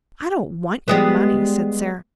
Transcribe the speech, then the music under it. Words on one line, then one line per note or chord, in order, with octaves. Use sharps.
"I don't want your money," said Sara.
G3 G#3 B3